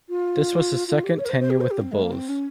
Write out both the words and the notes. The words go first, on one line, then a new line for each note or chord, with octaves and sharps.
This was his second tenure with the Bulls.
F4
F4
G4
C#5
A#4
C5
C5
G4
C5
G4
C4
G#3
A#3
C4
C#4